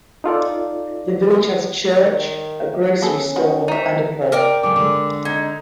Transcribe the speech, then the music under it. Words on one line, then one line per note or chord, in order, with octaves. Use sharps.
The village has a church, a grocery store and a pub.
D#4 F4 A4 D5
D#3
B3 C#4 G#4 A4
D#3 F#4 B5
C3 D#4 E5
A#4 D5 G5
C#3 F#3 A3 D6
D3 G#3
D#4 G#6